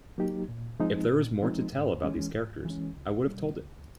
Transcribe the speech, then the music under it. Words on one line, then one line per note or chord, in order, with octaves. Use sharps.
If there was more to tell about these characters I would have told it.
F#3 A#3 D#4 G4
A#2
F3 G#3 C4 D#4
A#2
F3 G#3 C4 D#4
G#2
E3 G#3 C#4
G#2
E3 G#3 C#4
C#2
B2 G3
C#2